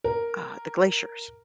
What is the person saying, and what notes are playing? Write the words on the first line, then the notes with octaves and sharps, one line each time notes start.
uh, the glaciers.
A#4